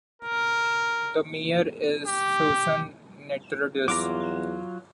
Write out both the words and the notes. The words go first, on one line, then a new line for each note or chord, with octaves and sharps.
The Mayor is Susan Netardus.
A#4
G4
E2 F#3 F4 A#5 D6